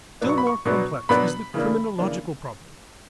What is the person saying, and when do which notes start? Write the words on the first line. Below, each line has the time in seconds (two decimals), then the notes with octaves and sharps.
Still more complex is the criminological problem.
0.21 B2 F#3 B3 D4
0.29 C#6
0.38 B5
0.47 C#6
0.65 B2 F#3 B3 D4
1.09 B2 F#3 B3 D4 B5
1.54 C#3 E3 A#3 D4
1.98 C#3 E3 A#3 D4